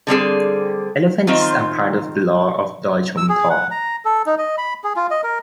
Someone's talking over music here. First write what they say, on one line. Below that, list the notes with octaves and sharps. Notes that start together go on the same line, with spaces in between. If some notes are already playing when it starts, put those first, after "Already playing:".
Elephants are part of the lore of Doi Chom Thong.
D3 G3 C4 G#4
D#3 C4 F4
E6
G#4
F#5
A#5
A4
D#4
D#5
B5
G#4
F4
D#5
A#4